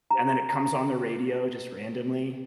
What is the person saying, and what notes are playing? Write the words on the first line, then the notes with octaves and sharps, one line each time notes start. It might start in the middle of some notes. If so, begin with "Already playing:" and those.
and then it comes on the radio, just randomly.
D4 G4 C5 A#5
A#5